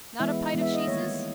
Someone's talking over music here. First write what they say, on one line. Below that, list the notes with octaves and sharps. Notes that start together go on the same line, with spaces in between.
Not a pite of sheeses?
E3 G#3 B3 E4 E5
E3 G#3 B3 E4
E5
D#5
D#3 G3 A#3 C#5